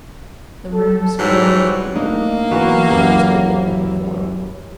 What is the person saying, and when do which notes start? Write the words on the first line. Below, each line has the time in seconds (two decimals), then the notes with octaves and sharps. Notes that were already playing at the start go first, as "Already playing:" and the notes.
The room was filled with people, but not those who had been there before.
0.73 A4
1.19 G#2 E3 F#3 G3
1.96 A3 A#3 D4 D#4
2.52 E3 B3 F#4 B4 G#5 A#5
2.90 C#2 F#2 G4 A#5